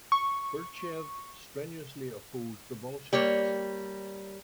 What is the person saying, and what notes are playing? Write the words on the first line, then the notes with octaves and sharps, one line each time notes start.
Burtsev strenuously opposed the Bolsheviks.
C#6
G3 A#3 C#5